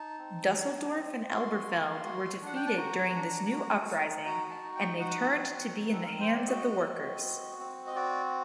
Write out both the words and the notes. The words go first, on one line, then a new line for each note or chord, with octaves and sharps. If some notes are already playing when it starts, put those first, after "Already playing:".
Dusseldorf and Elberfeld were defeated during this new uprising and they turned to be in the hands of the workers.
Already playing: D#4 A5
C4
D#4
C4
F#4 C6
A#3
F#4
D4 F#5
G5
A5
F#4 A#5
D4
F#4
D#4
F#4 A#5
A5
D#4
G5
D#5
F#4 F#5
C4
D#4
A4
A#4
C4
C5
D5
F#4 D#5
C4
F#4
C4
D#5
F#4 D5